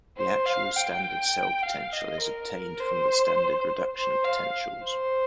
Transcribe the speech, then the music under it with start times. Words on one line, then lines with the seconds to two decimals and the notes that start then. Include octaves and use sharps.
The actual standard cell potential is obtained from the standard reduction potentials.
0.17 C5
0.46 F5
0.76 G5
1.63 F5
1.92 D#5
2.21 A#4
2.79 C5
3.96 C5
4.25 F5
4.83 C5